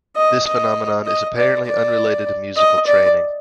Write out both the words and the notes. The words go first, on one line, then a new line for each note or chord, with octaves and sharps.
This phenomenon is apparently unrelated to musical training.
D#5
D#5
D#5
D5
D5
D#5
D5